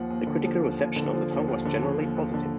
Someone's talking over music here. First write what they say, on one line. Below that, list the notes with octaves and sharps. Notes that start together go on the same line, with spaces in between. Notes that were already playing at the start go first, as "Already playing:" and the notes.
The critical reception of the song was generally positive.
Already playing: D#2 F3 F#5
D#2
D3
F3
D#2
D#2
D3
F3
D#2
D#2
D3
F3
D#2
D#2
D3